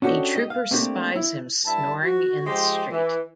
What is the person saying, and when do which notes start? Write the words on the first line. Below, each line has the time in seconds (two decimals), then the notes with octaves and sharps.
A trooper spies him snoring in the street.
0.02 C#4 D4 F#4 G4 A4 D#5
0.35 G4 D#5
0.50 F5
0.71 A3 A#3 C4 D4 G4
1.16 E4
1.65 G2 E4 A5
2.02 F#4
2.45 F3 G#3 G4 C5
2.90 E3